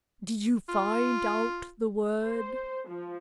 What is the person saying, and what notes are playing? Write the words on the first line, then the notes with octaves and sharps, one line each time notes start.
"Did you find out the word?"
F4
C5
F3